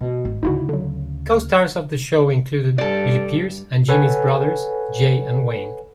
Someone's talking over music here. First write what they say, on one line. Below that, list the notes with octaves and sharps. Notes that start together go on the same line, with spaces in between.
Co-stars of the show included Billy Pearce and Jimmy's brothers Jay and Wayne.
B2
G#1
D2 C#3 D#4 E4 F#4
D3 F#3
F6
G2 A4 D5
A4 B4 C#5 F#5 G#5